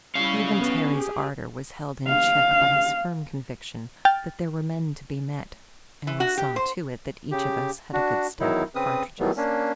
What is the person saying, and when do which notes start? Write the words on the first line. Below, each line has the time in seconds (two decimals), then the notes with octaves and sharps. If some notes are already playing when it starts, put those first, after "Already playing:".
Even Terry's ardor was held in check by his firm conviction that there were men to be met, and we saw to it that each of us had a good stock of cartridges.
0.15 G3 C#4 E4 F5
0.58 B3
0.92 G4 G#4
2.07 F5
4.05 G5 F6 A6
6.07 E3
6.20 F#4
6.37 G4
6.56 C5
7.31 C#3 G4
7.93 D4 F#4
8.40 E2 D#3 F#3 D#4 E4
8.75 C#3 C4 B4 D#6
9.19 D#3 E3 F#3 G3 A3 B3
9.37 A#3 C#4 D4